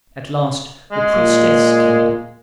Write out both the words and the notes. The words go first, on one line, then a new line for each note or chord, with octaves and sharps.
At last the priestess came in.
G#3
A#2 A#3